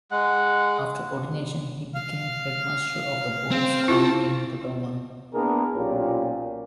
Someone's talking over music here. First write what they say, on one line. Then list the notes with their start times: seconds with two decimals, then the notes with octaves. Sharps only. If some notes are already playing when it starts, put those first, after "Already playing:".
After ordination he became headmaster of the Boys School in Dodoma.
0.11 G#3 F#5
1.95 F5
3.51 C4
3.88 E4 F4 A5
5.34 A#3 B3 D4 E4 G#4 A#4
5.74 B1 A#2 F3 C#4 F4 G4